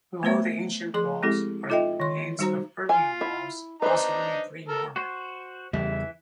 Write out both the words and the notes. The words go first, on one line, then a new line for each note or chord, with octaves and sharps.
Below the ancient walls are the remains of earlier walls possibly pre Norman.
A3 B3 B4 C5 E5
F3 G#4 C6
G#3 C4 E4 G4 A4
D#4 F4 A4 D#5 E5 G5
D#3 C6
G3 D#4 F#4 C5 A#5
F4 G#5
E4
D4 D#4 B4 C5 A#5
A4 A#4
F#4 C5
E2 C#3 E3 G3 E5